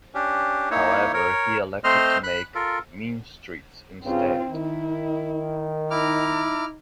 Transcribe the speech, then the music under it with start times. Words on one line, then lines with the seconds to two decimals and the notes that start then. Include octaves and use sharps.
However he elected to make "Mean Streets" instead.
0.14 C#4 D4 G4
0.71 A#3 D#4 E4 C#5
1.13 A#4 C#5
1.84 A3 C4 C5 D#5 C6 F6
2.23 B5 F#6
2.55 F4 A4 A#4
4.04 G2 C#3 C4 F4
4.51 D#3 E4
5.91 D#4 E4 A#5 D6 F6